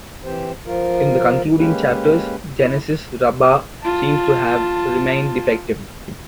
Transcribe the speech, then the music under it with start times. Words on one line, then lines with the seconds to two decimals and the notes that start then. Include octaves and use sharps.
In the concluding chapters, Genesis Rabba seems to have remained defective.
0.24 E3 C4 G4 C5
0.67 F3 F4 A#4
1.58 G#3 A#3 C#4 G4 B4
2.58 E4
3.83 F4 A5